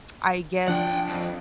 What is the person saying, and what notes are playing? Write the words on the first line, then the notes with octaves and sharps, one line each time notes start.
I guess,
F3 D4 F#5 G5
F2